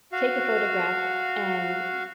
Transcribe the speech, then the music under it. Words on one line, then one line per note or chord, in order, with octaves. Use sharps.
take a photograph and m
F#4 F5